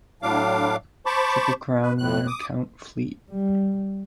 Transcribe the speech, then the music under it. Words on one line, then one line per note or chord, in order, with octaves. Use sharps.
Triple Crown winner Count Fleet.
A2 F#3 D4 F5 D6
C5 A5 B5 C#6 D6
B4
F2 A2 F#6
D6 D#6
G3